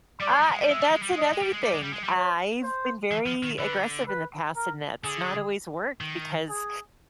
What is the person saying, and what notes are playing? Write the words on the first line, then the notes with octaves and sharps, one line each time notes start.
Uh, and that's another thing. I I've been very aggressive in the past, and that's not always worked because
G3 D5
G#3
G3
G#3
G3
G#3 E5
G3
G#3
G3
G#3
D#5
G3
G#3
G3
G#3
G3 D5
G#3
G3
G#3
G3
C#5
C5
E3
F3
D#3
D3 B4
B4
A#4
D3 G#4
D#3
G#4